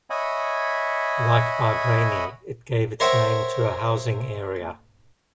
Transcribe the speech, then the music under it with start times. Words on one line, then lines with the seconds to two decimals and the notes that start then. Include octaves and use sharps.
Like Bardrainney, it gave its name to a housing area.
0.10 C#5 D#5 E5 F#5 G#5 B5
3.00 A#4 C5 C#5 E5 F#5 G5